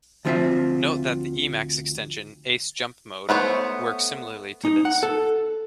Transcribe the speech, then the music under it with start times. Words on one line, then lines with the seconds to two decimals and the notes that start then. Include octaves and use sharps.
Note that the Emacs extension "Ace jump mode" works similarly to this.
0.25 D2 F3 G3 C4 F4 E5
3.29 A3 B3 C5 C#5
4.65 D#4
4.85 F#5
5.03 A4